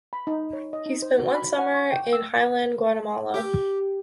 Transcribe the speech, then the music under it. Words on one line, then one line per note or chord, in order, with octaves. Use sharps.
He spent one summer in highland Guatemala.
B5
D#4
C#5
D#5
D#4
C5
F#4
B5
F#5
C#6
G5
E6
G4